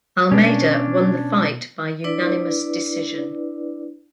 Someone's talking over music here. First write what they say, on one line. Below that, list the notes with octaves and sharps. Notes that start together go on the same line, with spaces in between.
Almeida won the fight by unanimous decision.
B2 B3 C#4 D4
D4 E4 B4 D5